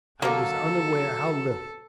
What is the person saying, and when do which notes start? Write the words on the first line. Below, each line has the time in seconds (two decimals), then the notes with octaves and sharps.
I was unaware how little.
0.22 D3 F#3 A#3 A4